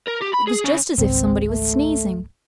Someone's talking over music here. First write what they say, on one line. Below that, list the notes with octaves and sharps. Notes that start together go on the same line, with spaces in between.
It was just as if somebody was sneezing.
A#4
G4
B5
G#4
C#3
G#1 C#2 C4
A3